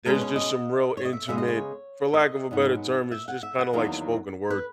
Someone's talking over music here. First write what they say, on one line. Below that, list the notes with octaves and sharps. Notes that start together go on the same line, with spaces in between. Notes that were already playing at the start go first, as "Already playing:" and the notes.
There's just some real intimate for lack of a better term, it's just kinda like spoken word.
B2 G#3 C#4 A#4
B4
C#5
D#5
C#5
D#5
E5
C#3 G#3 B3 E5
D#5
C#5
E5
D#5
G#2 F#3 B3
E5
F#5
E5
F#5
E2 D#3 F#3 A#3
B4